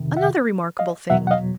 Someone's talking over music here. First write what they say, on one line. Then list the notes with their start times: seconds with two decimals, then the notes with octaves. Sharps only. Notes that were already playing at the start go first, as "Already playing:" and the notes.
Another remarkable thing.
Already playing: F2 C3 D#3
0.17 E5 F#5
0.79 D#5 F5
1.10 E2 B2 F#3 E5 F#5
1.27 F#5
1.31 D#5 F5